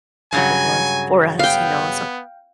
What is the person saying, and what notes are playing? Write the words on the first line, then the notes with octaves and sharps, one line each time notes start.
us for us, you know, as some
G2 C#3 F#3 G#5
B3 F5 G5